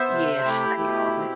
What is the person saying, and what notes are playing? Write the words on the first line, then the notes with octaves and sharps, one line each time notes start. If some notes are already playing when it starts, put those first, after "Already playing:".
Yes, they are.
Already playing: B3 C5 E5
C3
A3 E4 G4
B2
C4